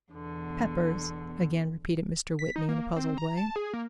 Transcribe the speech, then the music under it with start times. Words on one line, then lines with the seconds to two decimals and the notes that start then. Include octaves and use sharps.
"Peppers!" again repeated Mr. Whitney in a puzzled way.
0.12 E2 B2 D3
2.39 B6
2.56 D#4
2.69 A#3
2.96 C4
3.18 A#5
3.37 A5
3.56 G#4
3.73 A#3